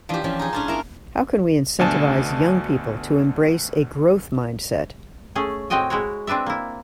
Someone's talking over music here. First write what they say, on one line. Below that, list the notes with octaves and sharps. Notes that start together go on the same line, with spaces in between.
How can we incentivise young people to embrace a growth mindset?
E3 F3 D4 F4 G4
E3 F3 C#4 D4
D#4 G#4
A2 C#4 D4 F4 A5
A#3 D4 E4 F4 A#4 A5
D2 B2 D4 G#5 A5
A3 C#4 G#4
A2 C4 F#4 D#5 G5 G#5
G#3 E4 F#4 C#5
C4 D4 B4 D5 E5
A#3 E4